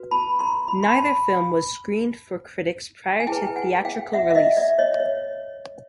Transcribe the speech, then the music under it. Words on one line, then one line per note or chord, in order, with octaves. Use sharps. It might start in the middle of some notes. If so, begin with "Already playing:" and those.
Neither film was screened for critics prior to theatrical release.
Already playing: F#4 B4
A5 B5
A#5 C6
B5
C6
A5 B5
G#5
E4 G#4 B4 G5 A5
G5
F#5 G#5
F5 G5
E5 F#5
E5
D#5 F5
D5 E5
C#5 D#5
C#5